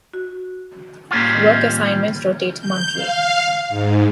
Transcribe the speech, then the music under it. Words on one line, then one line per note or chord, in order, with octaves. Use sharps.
Work assignments rotate monthly.
F#4
A2 G3 A#3 C#4 F4 A6
D#3 C4
G6
F5
G#2